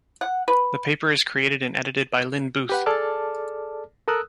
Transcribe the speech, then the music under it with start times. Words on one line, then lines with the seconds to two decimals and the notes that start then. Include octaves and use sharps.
The paper is created and edited by Lynn Buth.
0.21 F#5
0.48 B4
2.69 G4 B4 F#5
2.86 G#4 A4 D5 A5 D6 F6
4.08 A4 A#4 D#6 E6 F#6